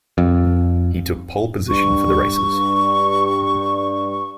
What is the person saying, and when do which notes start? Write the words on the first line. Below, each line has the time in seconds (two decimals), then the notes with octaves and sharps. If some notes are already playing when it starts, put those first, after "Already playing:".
He took pole position for the races.
0.18 F2
1.69 G2 C#6